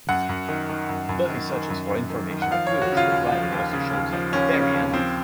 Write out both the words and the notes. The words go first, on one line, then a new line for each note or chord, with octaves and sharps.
Buffy searches for information at Willy's but Riley also shows up, very angry.
F#2 F#5
F#2
D#3
D#3
F#2
F#2
D#3
D#3
F#2
F#2
D#3
D#3
F#5
F3 F5
D#2 C#5
F#4
C#3 F4
D#2
F3
D#2
C#3
D#2
F3
D#2 C#4
C#3
D#2
F3 C4